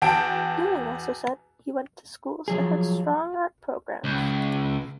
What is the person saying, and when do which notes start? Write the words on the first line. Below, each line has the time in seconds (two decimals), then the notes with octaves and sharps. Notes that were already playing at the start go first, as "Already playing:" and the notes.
Ewing also said he went to schools that had strong art programs.
0.02 E2 F#4 G5 A5 D7
2.48 F3 F#3 G#4
4.04 C#2